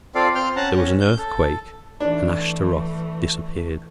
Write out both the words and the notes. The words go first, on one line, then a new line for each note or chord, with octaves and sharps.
There was an earthquake, and Ashtaroth disappeared.
C4 F4 A4 D5 F5
C4 C5 G5 C6 F6
C#4 F#5 A5 A#5
C#4
G6
A4
E3 A3 D4